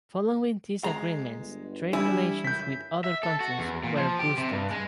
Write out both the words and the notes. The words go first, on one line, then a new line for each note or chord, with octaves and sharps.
Following these agreements, trade relations with other countries were boosted.
G#3 A#5
G1
E3 G3 D4 E4 G#5
C#2 F#2 G6 B6
E5
A4
F#4
E2
A#2
F3
G4
C3
G2
G#3